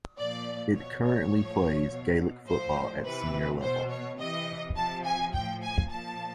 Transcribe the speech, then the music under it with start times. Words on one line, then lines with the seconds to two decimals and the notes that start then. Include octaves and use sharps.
It currently plays Gaelic football at Senior level.
0.18 A#2 F3 D5
0.75 B2 C#5
1.04 C#5
1.32 A2 F3
1.90 B2
2.47 A2 F3 C5
3.04 C3 E3 B4
3.62 B2 C5
3.90 C#5
4.19 C3 E3 D#5
4.76 C3 F3 A5
5.05 G#5
5.33 A2 F3 G5
5.62 G#5
5.91 A#2 F3 A5